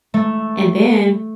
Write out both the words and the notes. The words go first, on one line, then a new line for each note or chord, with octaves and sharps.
And then,
A3